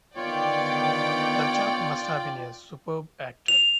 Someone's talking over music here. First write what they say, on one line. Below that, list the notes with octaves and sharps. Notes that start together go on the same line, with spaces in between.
That chap must have been a superb actor.
D3 D#3 B3 F4 C#5 D5 G5
F7